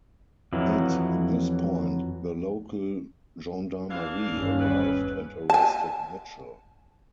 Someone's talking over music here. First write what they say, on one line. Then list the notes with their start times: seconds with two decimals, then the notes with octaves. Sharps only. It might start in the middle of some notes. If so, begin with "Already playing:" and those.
At this point, the local gendarmerie arrived and arrested Mitchell.
0.53 F2 E3 F#3
3.90 E3 D4 F5
4.29 G1 D#2 C#4
4.58 C#3 C4 B4
5.50 G#5 A5